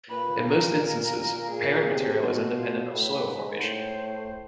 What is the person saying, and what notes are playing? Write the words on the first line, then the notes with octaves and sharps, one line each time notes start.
In most instances, parent material is independent of soil formation.
A#2 B4
A#4
A#2 G#4
C3
B2 F#4
F4
A2 B4
G#2
A2 C5